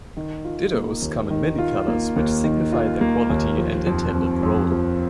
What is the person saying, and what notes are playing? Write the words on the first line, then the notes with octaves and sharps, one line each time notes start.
Dittos come in many colors, which signify their quality and intended role.
D#3
F4
A#3
D#2
D#3
F4
A#3
D#2
D#3
F4
A#3
D#2
F3
F2
C4
F2
F3